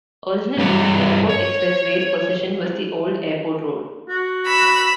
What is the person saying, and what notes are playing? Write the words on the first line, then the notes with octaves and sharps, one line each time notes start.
Originally, the Airport Expressway's position was the old airport road.
G2 G3 E4 G4 C#5
C#5
F#4
B5 E6